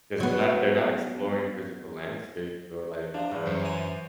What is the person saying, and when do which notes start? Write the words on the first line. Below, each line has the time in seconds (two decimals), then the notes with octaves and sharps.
'cause they're not they're not exploring physical landscapes or, like,
0.20 F#3 B3
3.14 C3 F3 D4
3.32 E2 G2 E3
3.47 F#2 C5
3.64 E3 C#5 G#5